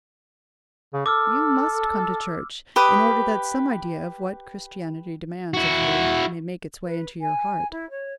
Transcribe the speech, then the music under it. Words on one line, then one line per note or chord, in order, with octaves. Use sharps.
You must come to church, in order that some idea of what Christianity demands of you may make its way into your heart.
C#3
A4 D6 E6 F6
G4 B4 D#6
E4 F#4
B4
G#5
E4
C#5